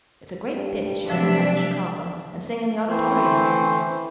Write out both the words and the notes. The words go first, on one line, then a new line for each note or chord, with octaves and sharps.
It's a great pity she doesn't come to Chicago and sing in the Auditorium concerts.
G2
C3 F3 F#3 D4 E5
E3 A3 C4 C5